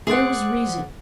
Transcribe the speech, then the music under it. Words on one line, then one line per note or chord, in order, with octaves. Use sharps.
There was reason.
G#4 C5 D5 F#5